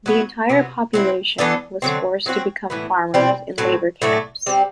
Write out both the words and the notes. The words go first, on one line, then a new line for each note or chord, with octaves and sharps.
The entire population was forced to become farmers in labour camps.
F#3 B3 F#4
C3 F#3 B3
F#3 C4 E4
E3 B3 D4 A4
D3 F#3 C4
F#3 C4 F#4
A2 E3 B3
B2 G3 C4 E4
A2 F#3 C4
A2 F#3 A3 D4
G3 C4 G4